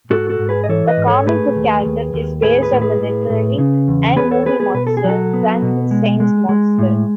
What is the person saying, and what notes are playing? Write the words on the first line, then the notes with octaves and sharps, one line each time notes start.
The comic book character is based on the literary and movie monster Frankenstein's monster.
G#2 F#4 A4
F#4 A4
G#2
G#4 B4
D#5
E3 A4 C#5
B4 D#5
G#2
A4 C#5
A3 G#4 B4
D#2
D#2
D#2
A2 G#4 B4
G#4 B4
A2
G#4 B4
A2
A2
C#3
E2
B3 G#4 B4
A4 C#5
B3 G#4 B4
G#4 B4
B2 B4
A4
G#4
F#3 F#4 A4
B3
B2
G#3
G#3
G#3
A2